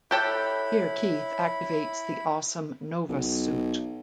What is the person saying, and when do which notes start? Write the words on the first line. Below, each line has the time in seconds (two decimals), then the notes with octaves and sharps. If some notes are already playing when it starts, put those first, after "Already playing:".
Here Keith activates the awesome Nova Suit.
0.11 E4 G4 A4 C#5 G5 B5 F#6
3.09 B1